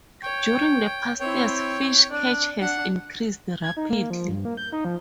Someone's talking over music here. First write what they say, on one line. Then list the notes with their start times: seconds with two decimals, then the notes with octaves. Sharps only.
During the past years, fish catch has increased rapidly.
0.23 C#5 G5
1.20 C4 E4 C#5 G5
2.10 D4 D5
2.61 D4 F#5
3.63 G#6
3.77 D#4
3.90 A#3
4.10 F3
4.29 G2
4.45 A#3
4.57 G6
4.72 D#4
4.85 F3